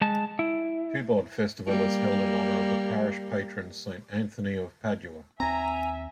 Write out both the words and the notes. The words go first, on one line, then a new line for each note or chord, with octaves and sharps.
Tubod Festival is held in honor of the parish patron, Saint Anthony of Padua.
G#3 A5
E4
G3 A#3
D#2 C4 E5 G#5 A#5